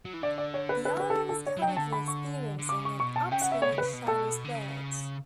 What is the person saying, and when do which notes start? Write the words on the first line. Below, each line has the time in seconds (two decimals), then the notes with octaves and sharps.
The island is currently experiencing an upswing in Chinese births.
0.05 F#3
0.14 E3
0.23 D3 D5
0.38 D5
0.54 C#5
0.69 B4
0.85 B4
1.00 B4
1.10 A4
1.29 A4
1.46 C#5
1.57 F#3
1.62 G5
1.67 F#3
1.77 D3 A5
1.92 B5
2.08 C#6
2.58 D3
2.69 C#3 D6
2.85 C#6
3.00 B2 C#6
3.16 A5
3.31 C#3 G5
3.42 F#5
3.52 E5
3.62 B2 C#5
3.72 C#3
3.78 B4
3.82 C#3
3.93 B2
4.08 A4
4.44 D3
4.55 C#3